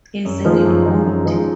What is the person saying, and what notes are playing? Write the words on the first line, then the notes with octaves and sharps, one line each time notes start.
Isn't it good!
F#2
F3 G#3 D#4
F#2
F3 G#3 D#4
F#2
F3 G#3 D#4